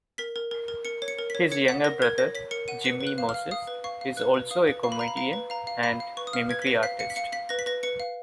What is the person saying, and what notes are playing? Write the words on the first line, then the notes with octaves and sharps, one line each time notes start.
His younger brother, Jimmy Moses, is also a comedian and mimicry artist.
A#4 B6
A#4
A#4
A#4
A#4 C#7
C#5
C#7
A#4
C#5 B6
C#5 C#7
F#5 B6
A#4 A#6
A#4 G#6
C#5 A#6
C#5 B6
A#4 C#7
F#5 D#7
B4 C#7
B4
F#6
F5
F6
F5
F5 D#6
B4
F5 C#6
F5
B4 F#6
B4
F5 D#6
B4
F5 C#6
B5
F5 A#5
B5
F5 A#5
B4
F5 A#5
F5
F5 B5
F5
B4 C#6
D#6
F5 F6
B4 G#6
B6
B4 A#6
F5 B6
F5 C#7
B6
F5 C#7
F5 B6
B4 A#6
B6
B4 A#6
B4 C#7
F5